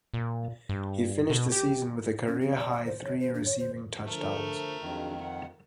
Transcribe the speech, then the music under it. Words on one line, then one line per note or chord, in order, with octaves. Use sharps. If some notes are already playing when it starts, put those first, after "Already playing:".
He finished the season with a career-high three receiving touchdowns.
A#2
G2
B2
G4
C#4
C4
D5
D5
C5
C#5
C5
D4
C#5
C5
D3 F3 A3 A#4
F2 D#3 F#3 G#3 D4
F#5